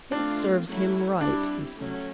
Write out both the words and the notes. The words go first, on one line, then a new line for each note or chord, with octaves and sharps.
"It serves him right," he said.
A3 C4 D4 F4
F#3 A3 C#4 E4
G3 C4 D4 E4 G4
F#3 A3 C#4